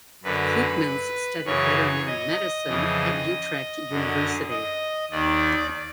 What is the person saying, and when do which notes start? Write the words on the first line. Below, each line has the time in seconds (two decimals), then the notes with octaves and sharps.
Koopmans studied veterinary medicine at Utrecht University.
0.23 F#2 D3 B4
1.45 F#2 C#3 E3 C#5
2.07 D#5
2.67 F2 C#3 E3
3.90 F#2 D3
4.50 D#5
5.11 D#2 D#3 D5